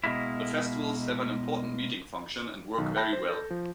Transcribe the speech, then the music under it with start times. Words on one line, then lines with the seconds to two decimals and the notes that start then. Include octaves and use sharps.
The festivals have an important meeting function, and work very well.
0.04 B2 G#3 A#3 E4
2.78 B1 D#3
2.96 E5 G5 A5 B5 G6 A#6
3.13 C5
3.29 A4
3.50 F3